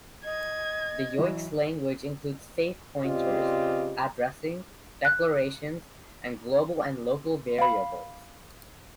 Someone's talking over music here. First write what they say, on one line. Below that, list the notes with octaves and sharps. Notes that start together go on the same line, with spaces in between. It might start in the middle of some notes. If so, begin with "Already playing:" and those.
The Yoix language includes safe pointers, addressing, declarations, and global and local variables.
D#5 G#6
E3 F#3 E4
C#3 C4 F4 G4 D5 D#5
F#6
F5 B5